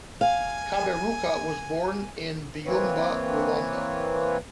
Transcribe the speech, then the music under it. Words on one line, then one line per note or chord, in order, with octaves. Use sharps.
Kaberuka was born in Byumba, Rwanda.
F5 G#5
E3 A#3 C4 B4 C#5